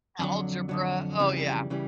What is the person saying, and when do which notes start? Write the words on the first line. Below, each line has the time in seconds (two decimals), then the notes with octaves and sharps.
Algebra, oh yeah,
0.19 F2 D3 F#3
0.69 F2 D3 F#3
1.19 F2 C#3 E3 G3
1.70 C#3 E3 G3